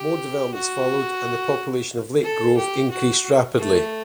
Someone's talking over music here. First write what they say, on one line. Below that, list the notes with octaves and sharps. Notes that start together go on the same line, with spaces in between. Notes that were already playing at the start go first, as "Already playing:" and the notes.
More developments followed and the population of Lake Grove increased rapidly.
Already playing: G4
F#4
A4
G4
F#4
A3